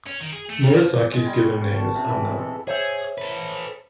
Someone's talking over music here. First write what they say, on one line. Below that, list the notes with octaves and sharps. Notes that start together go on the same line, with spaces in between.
Murasaki's given name is unknown.
C#4
D#3
G#4
A3
G3
G#3
G3
C#5
C#4
A5
C3
E3
G#3
A4
G#4 C5 C#5 E5
A4 B4